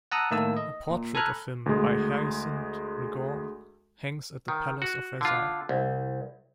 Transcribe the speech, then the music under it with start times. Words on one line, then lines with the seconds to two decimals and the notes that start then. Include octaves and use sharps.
A portrait of him by Hyacinthe Rigaud hangs at the Palace of Versailles.
0.12 F#5 A5 A#5 D#6 E6 F#6
0.31 A2 D#3 A#3 E4 A4 E6
0.57 D#5
0.90 A#2
1.15 A4 G#5 A#5 B5 F6 F#6
1.66 D2 G#3
4.48 D#3
4.82 F#4
5.21 D3 F4
5.69 C2